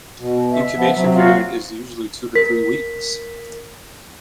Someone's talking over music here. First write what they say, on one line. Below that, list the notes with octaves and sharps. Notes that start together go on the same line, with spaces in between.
Incubation period is usually two to three weeks.
B2
E5
F3 B3
C3 F#3
F4 F#4 F5
A#4 B6